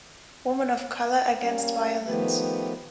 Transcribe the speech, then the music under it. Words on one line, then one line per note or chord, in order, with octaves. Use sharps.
Women of Color Against Violence.
G3 A#3 C#4 F5
D#3 F3 A3 B3 G4 B4